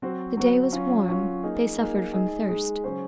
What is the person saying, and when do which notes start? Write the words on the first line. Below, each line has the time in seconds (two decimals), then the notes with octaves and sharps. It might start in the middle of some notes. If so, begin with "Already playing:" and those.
The day was warm; they suffered from thirst.
0.02 F#3 C4 F#4 C5
0.37 F#3 C4 F#4 C5
0.72 F#3 C#4 F4
1.08 F#3 C#4 F4
1.43 A#3 D#4 G#4
1.78 A#3 D#4 G#4
2.13 G#3 D#4 G#4
2.49 G#3 D#4 G#4
2.84 C#3 F#3 C#4 G#4 C5